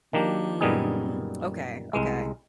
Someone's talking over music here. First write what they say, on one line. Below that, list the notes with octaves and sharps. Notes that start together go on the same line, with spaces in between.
Mm. Okay, okay,
D#3 A#3 D4 G4
F#2 A#2 G3 B3 D#4 G#4
C2 G#3